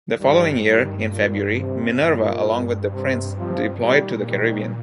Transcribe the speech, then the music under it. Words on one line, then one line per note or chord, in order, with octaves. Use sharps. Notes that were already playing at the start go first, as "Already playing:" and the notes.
The following year, in February, "Minerva", along with the Prince, deployed to the Caribbean.
G2 D#3 G3
D#3 G3
A#2
C3
G2 A#2
C3
C3 F3
A#2 D#3 G3
D#3 G3